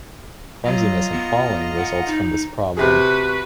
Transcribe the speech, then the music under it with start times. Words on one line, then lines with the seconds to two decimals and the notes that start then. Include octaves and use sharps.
Clumsiness and falling results from this problem.
0.65 F#3 F4 D#5 A#5
1.12 B3
1.76 F#5
2.06 D#4
2.77 C3 F#4 G#4 B4